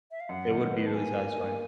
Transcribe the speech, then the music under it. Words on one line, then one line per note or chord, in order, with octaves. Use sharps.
it would be really satisfying.
E5
F5
F#2 F#5
D#3
B3
A5
A#3 G#5
A#3
A#3